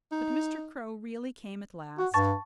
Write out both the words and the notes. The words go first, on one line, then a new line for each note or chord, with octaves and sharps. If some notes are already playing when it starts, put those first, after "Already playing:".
But Mr. Crow really came at last.
D#4
F#4 F#5
G2 A5 C#6 A6